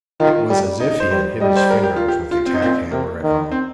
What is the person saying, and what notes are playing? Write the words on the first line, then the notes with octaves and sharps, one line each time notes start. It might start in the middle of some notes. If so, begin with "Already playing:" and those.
It was as if he had hit his fingers with a tack hammer at home.
D#3 F4
G3
D#4
D#4
C5
G3 C5
G3 D#5
C5
A#4
G4
F4
G4
F4
C4
D#4
A#2 C4
C3 A#3
D#3
C4